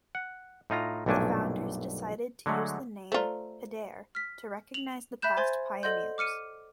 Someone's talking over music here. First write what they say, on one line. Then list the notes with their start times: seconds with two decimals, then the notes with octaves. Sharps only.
The founders decided to use the name "Pedare" to recognise the past pioneers.
0.15 F#5
0.70 A2 D#4 F4 A#5
1.06 B1 G2 A#2 A3 D4 G#5
2.46 D3 F#3 G#3 A3
3.12 A3 F4 C5 D5 A#5
4.15 F6 B6
4.74 F7 F#7
5.22 E5 B5 F#6 G6 E7
5.37 C5 G#5 C6 G#6 A6
5.83 A4 D5 D#5 F#5 C6 G6
6.18 D6 F6 C#7 D#7